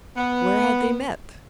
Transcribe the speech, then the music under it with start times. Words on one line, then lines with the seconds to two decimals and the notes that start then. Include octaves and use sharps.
Where had they met?
0.17 B3